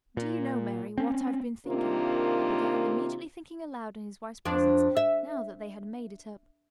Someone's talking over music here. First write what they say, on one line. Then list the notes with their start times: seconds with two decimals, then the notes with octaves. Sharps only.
"Do you know, Mary, what I've been thinking?" he began, immediately thinking aloud in his wife's presence now that they had made it up.
0.17 A#2
0.98 C4 C#4
1.66 C3 D#3 A#3 D4 F4
4.45 F2 D4
4.97 E5